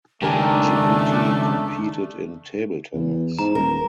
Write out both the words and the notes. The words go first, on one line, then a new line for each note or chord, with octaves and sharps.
Djibouti competed in table tennis.
C#2 D#3 A3 D4 G4 A#4 G#5
E2
G#2 A#5
D#1 A#4